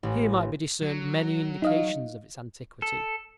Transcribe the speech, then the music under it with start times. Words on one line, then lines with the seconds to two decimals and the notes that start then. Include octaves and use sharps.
Here might be discerned many indications of its antiquity.
0.03 A1
0.82 F#3
1.62 D#4 D#5 F5
2.82 A4